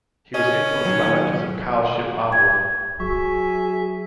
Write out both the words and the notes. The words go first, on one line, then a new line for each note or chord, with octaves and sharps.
He was influenced by lectures of Carl Shipp Marvel.
C#4 D#5
D#3 F#3
G#6
F#3 G#4 E5 C#6